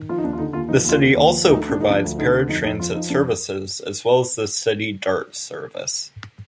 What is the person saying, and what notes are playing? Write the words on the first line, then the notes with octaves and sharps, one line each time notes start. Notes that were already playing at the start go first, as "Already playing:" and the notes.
The city also provides paratransit services as well as the City Dart Service.
Already playing: D#3
F3 F4
D#4
D#2 D4
F4
D3 D#4
D#2 F4
F3 D#4
D#2 F4
D3
D#2
F3
D2
D#4
D3
D4
D2
D#4
F3 D4
D2
D3 D#4
D2
F2 D#4
F2 D#4
F3 F4
F3 D#4
F2 D4